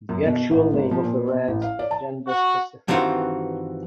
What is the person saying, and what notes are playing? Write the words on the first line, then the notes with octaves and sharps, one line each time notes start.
The actual name of the ranks is gender-specific.
F#2
B2
A1
G#1
F3
A#2
B2
A1
F5
D5
A5
F#4
G2 D#3 E3 C4 F4 F#4